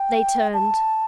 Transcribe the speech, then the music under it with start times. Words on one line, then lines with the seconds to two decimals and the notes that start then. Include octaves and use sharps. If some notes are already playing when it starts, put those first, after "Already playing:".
They turned.
Already playing: G5
0.54 A5